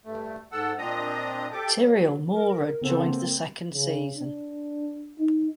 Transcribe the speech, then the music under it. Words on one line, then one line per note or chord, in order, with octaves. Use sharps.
Tiriel Mora joined the second season.
G2 A3
G#2 A4 F#5 E6
A#2 C4 D4 D#5 A#5 D#6
G4 A4 D6
F#3
A#4
C#3 B3 C4 A4 C5
A#3 C4
C#3
D4
D#4